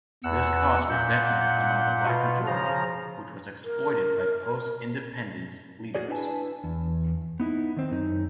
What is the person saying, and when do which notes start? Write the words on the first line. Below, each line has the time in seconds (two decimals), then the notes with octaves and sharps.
This caused resentment among the Black majority, which was exploited by post-Independence leaders.
0.24 E2 F#5 E6
0.89 A#2 F#5 G6
2.06 B2 F4
2.47 C#3 F3 A#5
3.65 A#4
5.95 F#4 G#4 D5
6.08 D4 E4 B4 F5 G#5 A5
6.64 E2
7.40 B3 D#4 E4
7.77 D#3 C4
7.91 F#2 D#4